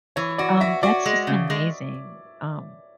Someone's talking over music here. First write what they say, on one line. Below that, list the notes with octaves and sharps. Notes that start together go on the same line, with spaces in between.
um, that's just an amazing, um,
E3 C#5
F#4 D5
F#4 E5
F#4 D5
G#3
C#3
G#3